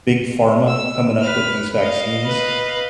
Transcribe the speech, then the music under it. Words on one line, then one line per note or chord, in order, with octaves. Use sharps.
Big Pharma coming up with these vaccines,
E6
B4 F6
D#5 F5
B4